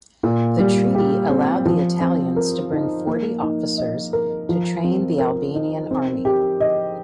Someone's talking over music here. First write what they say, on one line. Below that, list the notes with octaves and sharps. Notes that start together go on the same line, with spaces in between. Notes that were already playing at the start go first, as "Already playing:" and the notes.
The Treaty allowed the Italians to bring forty officers to train the Albanian army.
A#2
G3
G4
C4
F3
C4
A#4
D#4
A#3
D#4
D#5
A#4
F3
C4
A#4
D#4
C4
G4
D#5